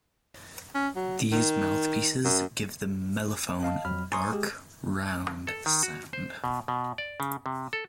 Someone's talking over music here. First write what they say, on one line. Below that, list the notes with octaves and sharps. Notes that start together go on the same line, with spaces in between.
These mouthpieces give the mellophone a dark, round sound.
C#4
F#3
D#3
F#2
D#5 F5 A5
F2 F#3 B5 F6
G#5 A#5 C6 C#6 D#6
G#3 G4 G#4
A4
D#3
F#4
C5
B2
B2
D5
C#3
C3
A4